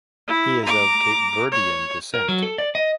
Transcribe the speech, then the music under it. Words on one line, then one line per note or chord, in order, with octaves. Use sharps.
He is of Cape Verdean descent.
E4
A#5 D6
C#5
A#4
F#3
A4
D5
D#5